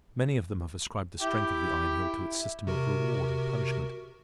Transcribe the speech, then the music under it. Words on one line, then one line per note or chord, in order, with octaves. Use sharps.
Many of them have ascribed the strength of the Iron Heel to its system of reward and punishment.
E4 G4
C3 F#4 A#4